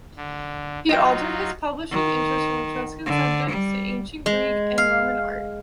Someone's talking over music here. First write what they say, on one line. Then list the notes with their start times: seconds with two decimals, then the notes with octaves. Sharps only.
He altered his publishing interests from Etruscan subjects to Ancient Greek and Roman Art.
0.16 D3
0.89 F#3 D#4 F4 D#5 G5
1.91 D#3
3.06 D3
3.50 G3
4.26 G#3
4.78 F5